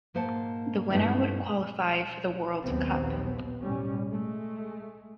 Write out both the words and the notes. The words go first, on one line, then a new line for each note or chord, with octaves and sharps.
The winner would qualify for the World Cup.
G#2 A#3 C5 F#5 A5
G2 A3 B3 C#4 D#4 E4
A#1 D#2 F#3 B3 C4
B1 A2 G3 C#4
G#3 A3